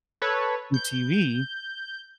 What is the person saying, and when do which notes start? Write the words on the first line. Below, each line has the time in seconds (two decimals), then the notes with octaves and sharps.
new TV,
0.22 A4 B4 C#5
0.74 G6